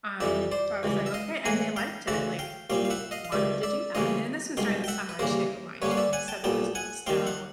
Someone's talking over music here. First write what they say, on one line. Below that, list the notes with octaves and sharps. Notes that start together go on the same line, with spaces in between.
Um, I was like, "Okay" and they liked it, like, they wanted to do that. And this is during the summer too, mind you, so there was no snow,
F2 C3 E3 G3 D5 E5
C5 D5
C#2 C3 E3 G3
E5
D#5 F5
A2 E3 G#3 F#5 G#5
F5 G5
D2 C#3 E3 E5 F#5
F5 G5
C2 A#2 G3 C4 F5 G5
F5
E5 F#5
D#5 F5
F5
C#2 C3 D#3 D5 E5
D5 E5
D2 C#3 E3 G3 A#3 D#5 F5
C2 B2 G#3 F5 G5
G5
E5 F#5
B4
D#2 C#3 E3 G3 A#3 A#4 C5
G2 D3 G3 A#3 C#4 B4 C#5
F5
D5 E5
F#5 G#5
G5 A5
B1 A#2 G3 B3 G5 A5
F#5 G#5
D#2 D#3 G3 C4 F5 G5
F#5